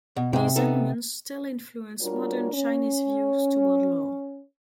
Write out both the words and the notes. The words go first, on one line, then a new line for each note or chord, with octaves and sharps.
These elements still influence modern Chinese views toward law.
B2
G#2 C3 G#3
B3 D#4 A4
G3 D4 F4 F#4 A#4 C#5
C#4